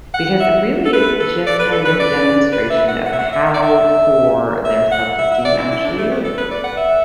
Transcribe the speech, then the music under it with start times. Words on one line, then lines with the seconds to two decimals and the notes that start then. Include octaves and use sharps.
because really it's just kind of a demonstration of how poor their self-esteem actually is.
0.14 F#5
0.40 E5
0.85 A4
0.93 B4
1.20 A4
1.47 D5
1.59 B4
1.72 A4
1.85 B4
2.00 D5
2.53 B4
2.70 E5
2.88 F#5
3.06 F#5
3.13 E5
3.19 F#5
3.33 E5
3.46 E5
3.54 D5
3.62 E5
4.65 E5
4.92 F#5
5.18 E5
5.32 E5
5.45 D5
5.58 E4
5.71 E4
5.85 D4
5.98 A3
6.11 B3
6.24 A4
6.38 B4
6.51 D5
6.64 F#5
6.77 E5